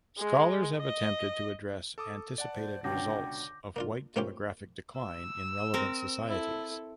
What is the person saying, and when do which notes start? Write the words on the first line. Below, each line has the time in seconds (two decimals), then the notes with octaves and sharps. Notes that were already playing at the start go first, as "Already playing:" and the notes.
Scholars have attempted to address anticipated results of white demographic decline in relevant societies.
0.19 G#3
0.79 D#5
1.98 A4 D6 D#6
2.38 D5 F#5 A5
2.54 C5
2.84 C#2 B2 D3 G5 D6 G6 A#6
3.76 A#3 D4 F4
4.16 A3 A#3 C4 C#4 F4 G4
5.00 E6
5.74 C4 A#4
6.29 E4 A4